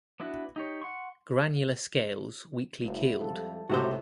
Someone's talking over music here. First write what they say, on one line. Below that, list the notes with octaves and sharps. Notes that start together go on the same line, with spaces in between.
Granular scales weakly keeled.
B3 D4 E4 F#4
D#4 G4 C#5
F#5 C6 C#6
F#1 G#3 B3 E4
F2 G3 A4
C#2 A2 C3 F#4 G4 C5 E6